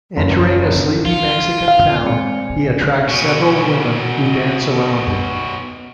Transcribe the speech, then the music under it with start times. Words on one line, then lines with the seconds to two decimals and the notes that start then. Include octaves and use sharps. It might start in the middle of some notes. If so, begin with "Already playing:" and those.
Entering a sleepy Mexican town, he attracts several women who dance around him.
0.16 F#1
1.05 F4
1.68 F5
2.04 A2 G#3 C4 D5 G#5 C#7
3.08 B2 C#4